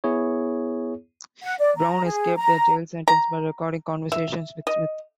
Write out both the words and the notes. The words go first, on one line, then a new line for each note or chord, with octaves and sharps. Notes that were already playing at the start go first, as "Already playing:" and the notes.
Brown escaped a jail sentence by recording conversations with Smith.
B3 E4 G#4 C#5
F#5
D5
A#5
G#4
A#5
A#5
E5
D#5